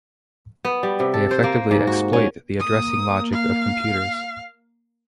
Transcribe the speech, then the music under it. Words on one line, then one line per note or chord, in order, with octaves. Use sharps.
They effectively exploit the addressing logic of computers.
B3
G3
C3
A4
C5
A#3
G#2
F#4
C#4
A#3 D#6
F5